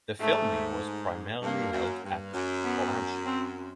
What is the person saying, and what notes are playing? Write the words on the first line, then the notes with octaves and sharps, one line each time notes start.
The filming was primarily held at Pollachi.
G#2 A3
G2 A#3
F#2
G2
F#2
B3
C4